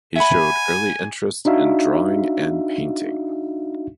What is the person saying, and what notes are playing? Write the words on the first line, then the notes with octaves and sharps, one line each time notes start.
He showed early interest in drawing and painting.
E5 F#5 G#5 B5
D4 D#4 F#4 E5 F5